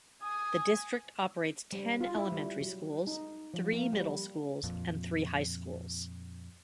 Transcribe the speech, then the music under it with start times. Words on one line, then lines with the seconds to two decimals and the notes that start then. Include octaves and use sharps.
The district operates ten Elementary Schools, three Middle Schools and three High Schools.
0.22 G#5 D#6
1.72 G3
2.01 F4
2.15 E4
2.32 G3
2.61 F#3
3.07 D#4
3.54 F3
3.72 A#3
3.93 G3
4.64 F2 A#2